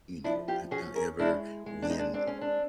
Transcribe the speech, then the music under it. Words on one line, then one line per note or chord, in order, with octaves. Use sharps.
you know? H however, when
F3 D4 E4
F4 G4
C#4 F#4 G#4
G#4 A#4
G#3 D4 E4
G#3
D4
D#4
D4
C4 D4
C#4
D4